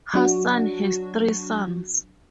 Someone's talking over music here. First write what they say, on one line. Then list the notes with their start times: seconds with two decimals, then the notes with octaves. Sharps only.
Hassan has three sons.
0.14 F#3 D4 F#4